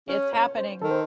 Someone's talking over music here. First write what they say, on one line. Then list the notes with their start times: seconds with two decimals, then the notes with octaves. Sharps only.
It's happening.
0.08 C#4
0.33 C#5
0.57 C5
0.81 D#3 A4
0.91 C5